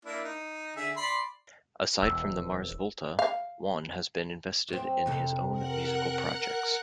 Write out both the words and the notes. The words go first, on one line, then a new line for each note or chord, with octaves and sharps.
Aside from The Mars Volta, Juan has been invested in his own musical projects.
A#3 D4 E4
D#4
D3 G#4 E5
D5 B5 C6
E1 E6
F5
F#2 C4
F2 C3 A4
A#4 F#5 F#6